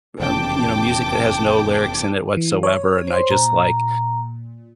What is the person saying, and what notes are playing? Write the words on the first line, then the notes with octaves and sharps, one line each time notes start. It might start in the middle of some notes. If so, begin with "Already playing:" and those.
um, you know, music that has no lyrics in it whatsoever, and I just, like,
F1 E2 C#3 G5 A5 D6
E3
C#5
C5 C6
A#2 A#5